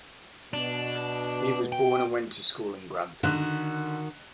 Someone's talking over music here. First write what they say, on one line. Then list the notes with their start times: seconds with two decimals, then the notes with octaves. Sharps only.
He was born and went to school in Grantham.
0.53 B2 D4
1.72 G5
3.23 D3 D#3 F#4 F#6